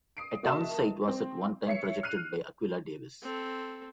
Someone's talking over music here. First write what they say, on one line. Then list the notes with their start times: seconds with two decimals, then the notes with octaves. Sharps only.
A town site was at one time projected by Aquilla Davis.
0.17 D#6 C7 D7
0.43 A#3 F#4 D#5 E5 A5 E7
1.08 C4
1.67 C#5 E5 C7 C#7
2.03 F6 F#6 C7 D#7 F7
3.22 C4 A4